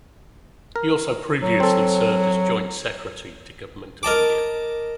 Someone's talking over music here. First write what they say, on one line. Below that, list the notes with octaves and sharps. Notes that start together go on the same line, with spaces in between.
He also previously served as Joint Secretary to Government of India.
A#4
F#3
C4 A4
A#4 D#5 A5 D6